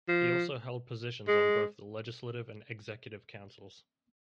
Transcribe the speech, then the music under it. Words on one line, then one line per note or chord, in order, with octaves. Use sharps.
He also held positions on both the Legislative and Executive Councils.
F3
G#3